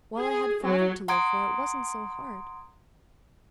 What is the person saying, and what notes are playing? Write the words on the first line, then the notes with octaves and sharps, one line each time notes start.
While I had Father to live for it wasn't so hard.
G#4
F#3
F#5 A#5 C6 D#6 G#6 D7